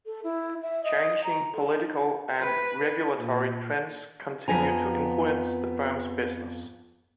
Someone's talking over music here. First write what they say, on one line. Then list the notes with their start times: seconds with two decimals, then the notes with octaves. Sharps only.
Changing political and regulatory trends continued to influence the firm's business.
0.06 A4
0.24 E4
0.62 E5
0.84 D#5
1.24 A#5
1.54 A4
1.72 D#4
2.41 B4
3.19 A#2
4.48 F2 F3 B3 G#5 A#5